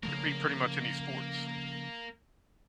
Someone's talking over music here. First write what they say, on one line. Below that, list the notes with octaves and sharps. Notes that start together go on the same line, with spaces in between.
Could be pretty much any sports.
C#3 F3 A3 A#3 A#4